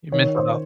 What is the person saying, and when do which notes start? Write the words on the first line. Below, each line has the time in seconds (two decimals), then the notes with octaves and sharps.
your mental health.
0.12 D#3 C#5
0.36 C5